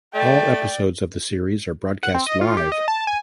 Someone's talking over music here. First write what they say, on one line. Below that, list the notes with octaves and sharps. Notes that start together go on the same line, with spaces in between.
All episodes of the series are broadcast live.
A3 D5 G5
F#5
C4
D#5
F4
G4
D#5
A5
G#5